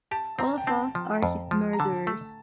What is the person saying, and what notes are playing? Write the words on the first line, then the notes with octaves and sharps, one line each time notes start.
All of us are his murderers...
G4 A5
C4 A#5
G5
C4 A5
F3
F2
F3
A#5
D3 A5
A3